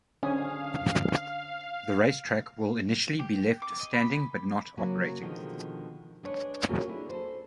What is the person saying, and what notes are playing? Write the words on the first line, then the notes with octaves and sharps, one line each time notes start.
The racetrack will initially be left standing but not operating.
D3 C#4 G#4 C5 F5 G#5
G4
D6
D#5
B5
C#3 F#3 A#3
B2 D3 D#3 F3 G#3
G#3 D4 B4 C#5
A3 A#3 C#4 F4 F#4 G#4
D3 D4 E4
A4 C5